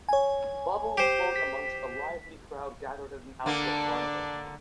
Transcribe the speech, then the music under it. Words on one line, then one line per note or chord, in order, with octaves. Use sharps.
Bubbles float amongst a lively crowd gathered at an outdoor carnival.
C#5 G#5
G4 C5
B6
D3 A#3 D4